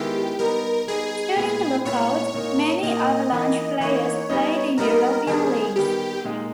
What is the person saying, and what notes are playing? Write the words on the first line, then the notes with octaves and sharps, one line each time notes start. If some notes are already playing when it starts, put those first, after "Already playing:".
During the lockout, many Avalanche players played in European leagues.
Already playing: D#3 G#3 B3 E4 G4
G3 B3 D#4 A#4
G3 B3 D#4 G#4
A#2 G#3 B3 E4
A#2 G#3 B3 E4 C#5
A#2 A#3 D#4
A#2 A#3 D#4 D#5
E3 A#3 D#4
E3 A#3 D#4 C#5
G3 B3 D#4
G3 B3 D#4 A#4
D#3 G3 B3 G#4
D#3 G3 B3 G4
A#2 G#3 D#4